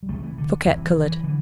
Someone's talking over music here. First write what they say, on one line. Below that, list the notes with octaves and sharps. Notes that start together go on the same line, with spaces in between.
Fouquet colored.
G3
C2 C3 A3
E3
D3
C2 C3 E3
E3
E3
D3 E3